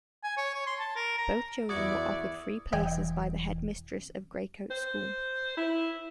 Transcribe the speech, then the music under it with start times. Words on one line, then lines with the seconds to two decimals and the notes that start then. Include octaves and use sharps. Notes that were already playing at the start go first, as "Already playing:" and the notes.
Both children were offered free places by the headmistress of Greycotes School.
0.24 G#5
0.37 C#5
0.54 C#5
0.67 C6
0.79 A5
0.96 A#4
1.18 A#5
1.69 E2 E4 F#4 D5 D#6 G#6 C#7
2.73 E1 E3 D#5 G5 G#5
4.71 C5
5.57 E4